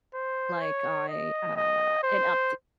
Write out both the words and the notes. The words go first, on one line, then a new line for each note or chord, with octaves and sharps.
like, I, uh an update.
C5
C#5
D#5
D#5
C5